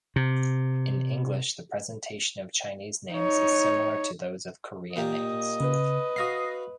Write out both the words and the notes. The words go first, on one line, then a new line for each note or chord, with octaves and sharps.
In English the presentation of Chinese names is similar to those of Korean names.
C3
D#4 C#5
A#2 A#3 G4 D#5
C#3 B4
F#4 F5 F#5 D#6 A#6 C7